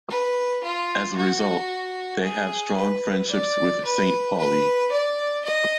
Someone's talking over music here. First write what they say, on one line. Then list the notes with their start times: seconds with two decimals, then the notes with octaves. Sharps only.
As a result, they have strong friendships with Saint Pauli.
0.10 B4
0.63 F4
1.17 F#4
2.23 G#4
2.77 B4
3.31 D5
3.84 B4
4.38 B4
4.92 D5
5.45 D#5